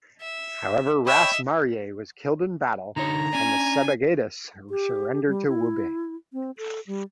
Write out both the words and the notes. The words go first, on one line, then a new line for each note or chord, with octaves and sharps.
However, "Ras" Marye was killed in the battle, and Sebagadis surrendered to Wube.
E5
C#5 D#5 E5 G5 B5
D3 D#4 C#5 A#5
C#4 D4 G#5
G4
G3
E4
C4
A4
G3